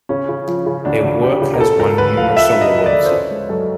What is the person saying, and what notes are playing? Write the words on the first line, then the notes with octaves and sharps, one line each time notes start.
Their work has won numerous awards.
C#3 C#4
C#3
F3
C#3
D2 D4
D2
D2 G4
C#3
A#4
C#3 A4
C#3 A#4
D2 B4
F3 F5
F3 E5
F3
D#5
F3
D5
D2
C5
C#4 C#5
G#3
F#2 A4